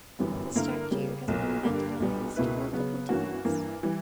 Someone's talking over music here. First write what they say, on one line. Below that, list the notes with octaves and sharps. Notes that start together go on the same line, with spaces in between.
The statue has been vandalized multiple times.
G1 F#2 E3 G3 B3
G2 D3 A#3 E4 A#4
C#3 G3 A#3
B1 A#2 F#3 A#3
G2 D3 A#3 D4 G4
B1 A#2 G3 B3 D4
C#2 B2 A#3 E4 B4
C#3 F#3 B3
G2 E3 A#3 C#4 F#4
G2 E3 A#3
E3 G3